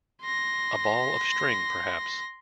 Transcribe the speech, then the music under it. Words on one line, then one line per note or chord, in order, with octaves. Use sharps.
A ball of string, perhaps.
C6 A#6